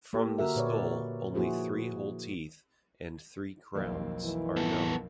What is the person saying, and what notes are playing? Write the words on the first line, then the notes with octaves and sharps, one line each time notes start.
From the skull, only three whole teeth and three crowns are known.
A#3 G4 A4
D3 F#4 A#4 E5
A#2 B4 C#5 D5
F3 A#3 E4 F#4 G#4 C5
B1 F2 A#3
E3
B3 A4